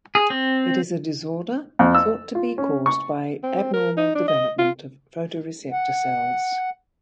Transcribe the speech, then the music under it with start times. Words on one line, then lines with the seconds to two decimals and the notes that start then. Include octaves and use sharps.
It is a disorder thought to be caused by abnormal development of photoreceptor cells.
0.15 G#4
0.30 C4
1.79 F2
1.95 E6
2.35 F4
2.58 C#4
2.86 C#6
3.43 C4
3.74 A#4
3.97 D#4
4.15 D4
4.28 D#5
4.58 F4
5.72 F#5